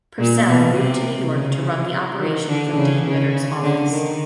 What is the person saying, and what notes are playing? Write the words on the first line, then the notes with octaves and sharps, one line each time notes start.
Purcell moved to New York to run the operation from Dean Witter's office.
A#2
B2
C3
C#3
D#3
D3
C#3
C#3
D3
D#3